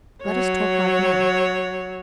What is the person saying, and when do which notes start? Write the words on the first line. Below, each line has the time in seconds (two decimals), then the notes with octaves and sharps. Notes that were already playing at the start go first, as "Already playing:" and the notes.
Let us talk like men.
0.23 F#3 C#5